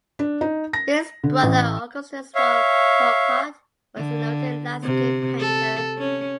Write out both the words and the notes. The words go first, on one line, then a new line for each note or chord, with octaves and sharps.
His brother, Augustus Wall Callcott, was a noted landscape painter.
D4
D#4
A#6
D3
A1
C#5 E5 F5
D3
C3
A4
C#4